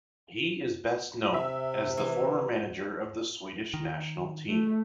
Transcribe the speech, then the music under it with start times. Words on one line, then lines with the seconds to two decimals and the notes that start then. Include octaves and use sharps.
He is best known as the former manager of the Swedish national team.
1.34 C3 E5
1.97 E3
3.74 D#3
4.49 A3